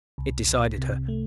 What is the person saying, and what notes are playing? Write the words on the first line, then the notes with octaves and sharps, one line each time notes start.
It decided her.
C2
C2
C3
A3